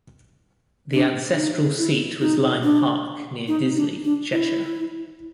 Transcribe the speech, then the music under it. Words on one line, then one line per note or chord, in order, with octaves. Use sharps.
The ancestral seat was Lyme Park, near Disley, Cheshire.
D4
D#4
E4
D#4
D4
D#4
D4
D4
E4